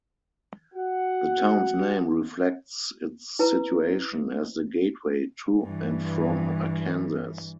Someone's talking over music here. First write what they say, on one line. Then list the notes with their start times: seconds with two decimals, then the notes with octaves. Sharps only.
The town's name reflects its situation as the "gateway" to and from Arkansas.
0.74 F#4 F#5
3.39 E4 B4 A#5
5.62 G2 E3